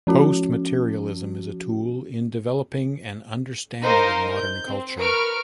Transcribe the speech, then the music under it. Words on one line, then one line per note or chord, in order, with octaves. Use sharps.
Post-materialism is a tool in developing an understanding of modern culture.
F3 C#4 F#4
D#4 A#4 C5 D#5 F5
G6
C4
A#4 B4 C#6 F6 D7